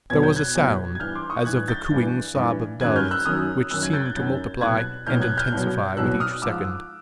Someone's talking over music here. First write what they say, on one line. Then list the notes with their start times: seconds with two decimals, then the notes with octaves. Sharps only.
There was a sound as of the cooing sob of doves, which seemed to multiply and intensify with each second.
0.10 E2 B2 F#3 G#6
0.23 G6
0.36 F#6 G#6
0.55 E2 B2 F#3
0.95 G#6
1.00 G2 E3 F6 G6
1.15 C6 D6
1.30 C#6 D#6
1.45 G2 E3 F#6 G#6
1.68 G6 A6
1.91 G2 E3
2.35 G2 E3
2.81 F#2 D#3 F#3 F#6 G#6
2.96 F6 G6
3.11 E6 F#6
3.26 F#2 D#3 F#3 D#6 F6
3.71 F#2 D#3 F#3 E6 F#6
3.83 F#6 G#6
3.93 G6 A6
4.06 F#6 G#6
4.16 F#2 D#3 F#3 G6 A6
4.61 C2 B2 F#3 F#6 G#6
5.06 C2 B2 F#3 F6 G6
5.21 F#6 G#6
5.37 F6 G6
5.52 C2 B2 F#3
5.97 C2 B2 F#3 E6 F#6
6.20 D#6 F6
6.42 G#2 F3 D6 E6